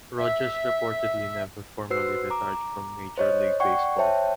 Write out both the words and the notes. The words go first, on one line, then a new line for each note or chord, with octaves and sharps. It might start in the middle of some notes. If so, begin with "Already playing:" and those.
Rogers reportedly never formally retired from Major League Baseball.
E5
F#4 B4 C5 E6 C7
A#5 D6
C5 C#5 D#5
D5 F#5 G5 C#6
C5 C#5 E5 G5 A5